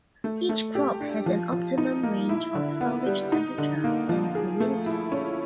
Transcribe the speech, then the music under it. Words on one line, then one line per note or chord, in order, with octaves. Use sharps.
Each crop has an optimum range of storage temperature and humidity.
A3
A3
G4
D4
F3
F3
D#4
A#3
E4
D3
B3
G3
D#4
D3
A#3
F3
G#4
A3
E4
C#4